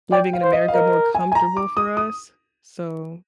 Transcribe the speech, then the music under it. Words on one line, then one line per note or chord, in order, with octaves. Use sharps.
living in America more comfortable for us, so
D5 G5
F5
C5
D#5
F5
A#4 D#5
G#5
G#5
A#5
D6
D#6
D#6